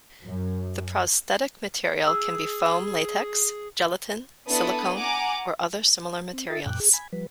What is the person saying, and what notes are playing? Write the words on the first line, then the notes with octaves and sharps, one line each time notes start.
The prosthetic material can be foam latex, gelatin, silicone or other similar materials.
F#2
G#4 E6
B3 D4 E4 A4 B4 D#6
F#5 G#5 A#5 D6
C4
F4 A4 E5 D#6 A6
F#2 A#2 G5 D6 F#6
G#4
G#5 B5
F3 G3 B4